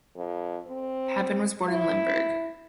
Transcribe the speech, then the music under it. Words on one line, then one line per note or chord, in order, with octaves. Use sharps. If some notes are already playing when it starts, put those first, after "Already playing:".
Papen was born in Limburg.
F2
C4
E4